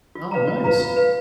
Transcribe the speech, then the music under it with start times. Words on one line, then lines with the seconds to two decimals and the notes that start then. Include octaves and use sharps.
Oh, nice.
0.15 F4
0.31 B4 F5 A#5
0.48 F4
0.64 B4 F5 A#5
0.80 F4
0.96 B4 F5